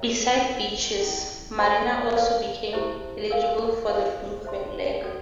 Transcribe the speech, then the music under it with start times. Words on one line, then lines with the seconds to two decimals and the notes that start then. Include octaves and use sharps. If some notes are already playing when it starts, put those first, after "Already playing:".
Besides beaches marinas also became eligible for the Blue Flag.
Already playing: A#4 C#5 E5 G5 A#5
0.43 D4 F4 A#4
1.01 C#4 E4 A4
1.58 C5 D#5 F#5 B5
2.15 B4 D5 F5 A5
2.73 E4 G4 C5 E5 A5
3.30 A#4 D5 F5 G#5
3.87 E4 A4 C5 F5 G#5
4.45 C5 E5 A5 C6
5.03 C#4 F#4 A4 D5 F#5